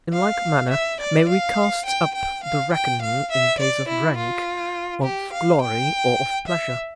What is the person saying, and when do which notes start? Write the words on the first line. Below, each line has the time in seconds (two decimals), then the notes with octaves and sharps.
In like manner may we cast up the reckoning in case of rank, of glory, or of pleasure.
0.14 F5
0.71 E5
1.01 D5
1.29 F5
1.87 G5
2.15 G5
2.45 F5
2.74 G5
3.02 F5
3.31 E5
3.60 D5
3.88 E4
4.17 F4
5.04 G4
5.33 F5
5.62 G5
6.48 E5